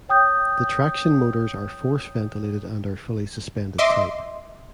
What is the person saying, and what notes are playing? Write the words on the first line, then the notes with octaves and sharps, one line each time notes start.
The traction motors are force ventilated and are fully suspended type.
C#5 G5 D#6 G6
D#5 E5 C6 D6